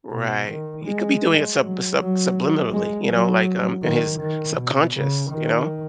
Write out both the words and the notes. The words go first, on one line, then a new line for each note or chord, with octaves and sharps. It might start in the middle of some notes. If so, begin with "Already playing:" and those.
Right. He could be doing it sub sub subliminally, you know, like, um, in his subconscious, you know?
B2
D#3
G#3
F#3
F#3
G#3
F#3
D#3
D#3
B2
C#3
D#3